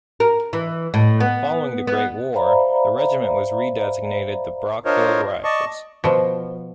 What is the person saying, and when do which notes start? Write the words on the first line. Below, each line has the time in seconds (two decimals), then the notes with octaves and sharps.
Following the Great War, the regiment was redisgnated The Brockville Rifles.
0.20 A#4
0.53 E3
0.94 A2
1.20 B3
1.87 B3
2.35 C5 D5 E5 F5 A#5 B5
4.85 D4 F4 A#4 C5 C#5 D#5
5.44 D5 D#5 A5 C#6
6.04 B2 F3